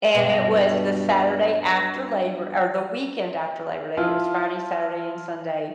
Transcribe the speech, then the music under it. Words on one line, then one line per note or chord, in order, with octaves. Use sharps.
and it was the Saturday after Labor or the weekend after Labor day, it was Friday, Saturday, and Sunday,
G2 B2
F3 E4 F4